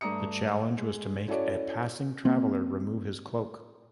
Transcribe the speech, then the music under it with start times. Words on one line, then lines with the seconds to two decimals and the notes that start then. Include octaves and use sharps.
The challenge was to make a passing traveler remove his cloak.
0.01 G2 A3 D4 A#5 D#6 C#7
0.77 G#3
1.28 C#4 E4 F#4 A4 C#5 D5
2.25 A#3 C4